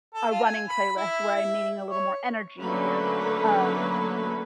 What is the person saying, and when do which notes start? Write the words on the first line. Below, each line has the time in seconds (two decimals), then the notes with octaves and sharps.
a running playlist where I'm needing a little more energy or, um
0.14 A4
0.30 F4
0.44 G#5
0.68 B5
0.97 E4
1.35 E5
1.88 C#5
2.59 D3 F#3 A3 A#3 C#4 B4